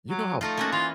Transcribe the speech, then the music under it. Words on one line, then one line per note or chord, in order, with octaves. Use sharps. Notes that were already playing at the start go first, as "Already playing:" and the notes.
You know how
F#3
F3 A3 D#4 F4
A#3 C#4 F#4
E3 F4